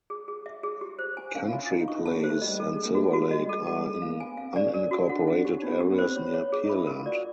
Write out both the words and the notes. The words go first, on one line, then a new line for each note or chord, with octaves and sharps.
Country Place and Silverlake are in unincorporated areas near Pearland.
G#4
G#4
E5
G#4
G4
C5
G#5
C#4 F5
E4
F4 G#5
D#4 F5
D#4 C#6
B3 A5
A#3
G#3 C5
A3
G3 D#5
A4
G#3
A4
A#3
A3 F#4
G#3 F#4
G3 D#5
G#3 A4
G3 A4
G#3 A4
A#3 F5
B3 G#5
C4 F5
C#4 D5
A#4
C#4
F#4
D4 F#5
D4 F#5
C#4 G4
B3 D#4
C4 G4
B3
C4 C5
B3 C#5
C#5
G#4
D#4
E4 B5
F4 A#4
F4
F#4 D5